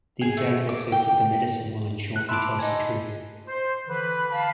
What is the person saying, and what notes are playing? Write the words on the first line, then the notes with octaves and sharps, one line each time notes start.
The examiner says that the medicine will ensure he tells the truth.
G#4
A3
D6
G5
F#6
E5 A5 B5 C6 D6
D#4 G#5
C5
D3 E3 B4
F5 A5 B5